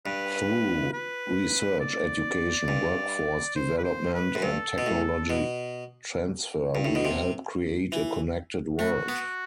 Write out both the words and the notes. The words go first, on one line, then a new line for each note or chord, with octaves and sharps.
Through research, education, workforce development and technology transfer, we help create a connected world.
G2 B4
B4
D5
G2
C5
B4
C5
B4
F#2
G2 A4
B2
A2
B2
G2
A2
B2
C3
E3
A3 F#4
B3